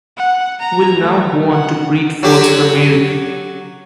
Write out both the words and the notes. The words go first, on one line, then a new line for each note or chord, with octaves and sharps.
Will now go on to breed foals for Mary.
F#5
A#5
A3
F#5
F#3 G4